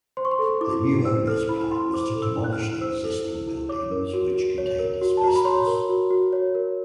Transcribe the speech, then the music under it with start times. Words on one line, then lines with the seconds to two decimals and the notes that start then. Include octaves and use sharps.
The new owners plan was to demolish the existing buildings which contained asbestos.
0.17 C5 C6
0.25 C#6
0.31 C6
0.39 A4
0.61 E4 D6
0.84 E4
1.05 C5 E6
1.28 A4 F6
1.49 E4 B5
1.72 E4 C6
1.94 C5 D6
2.15 A4
2.22 E6
2.37 E4
2.44 F#6
2.53 F6
2.59 E4
2.81 C5 E6
3.04 A4
3.25 E4
3.47 E4
3.69 C#5 D6
3.91 A#4
4.14 F#4
4.35 F#4
4.58 C#5
4.79 A#4
5.01 F#4
5.17 A5
5.24 F#4 A#5
5.36 B5
5.45 C#5 C6
5.67 A#4
5.89 F#4
6.11 F#4
6.33 C#5
6.55 A#4